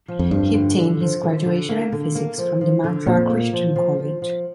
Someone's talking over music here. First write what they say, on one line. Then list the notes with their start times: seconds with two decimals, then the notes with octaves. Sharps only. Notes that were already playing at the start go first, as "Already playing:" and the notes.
He obtained his graduation in Physics from the Madras Christian College.
0.08 F3
0.19 F2
0.31 G2 F3
0.54 D3
0.77 D3
1.00 F3
1.23 D3
1.46 D3
1.69 A#3
1.92 D3
2.15 A#3
2.38 F3
2.61 F3
2.84 D3
3.07 F2 A#2
3.30 A#3
3.53 F3
3.76 F3
3.99 F3
4.22 F3